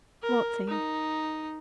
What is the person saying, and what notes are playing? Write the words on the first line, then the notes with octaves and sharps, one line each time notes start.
"What thing?"
A#4
D#4